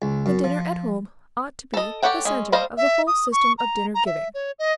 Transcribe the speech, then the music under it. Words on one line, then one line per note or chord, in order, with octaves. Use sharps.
The 'dinner at home' ought to be the centre of the whole system of dinner-giving.
C#2
F#2
F3
A4 D#5
G4 A4 C#5 F#5 G5
G#3 C#4
G3 A4 C5 D#5 F5
E5
D#6
C#6
A#5
A#5
E5
C#5
D#5